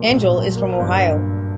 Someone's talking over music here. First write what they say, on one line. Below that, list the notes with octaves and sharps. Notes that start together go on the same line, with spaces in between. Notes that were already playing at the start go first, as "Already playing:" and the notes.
Engel is from Ohio.
Already playing: A#1 A#2 F#3 A#3
A#1
F#3
A#3
G2